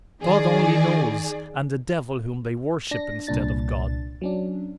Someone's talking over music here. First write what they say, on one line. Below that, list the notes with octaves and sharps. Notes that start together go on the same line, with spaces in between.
'God only knows, and the devil whom they worship instead of God.'
D#3 G#4 D5
D4 A#6
C2 A#2 D4 A6
F#3 C#4 D4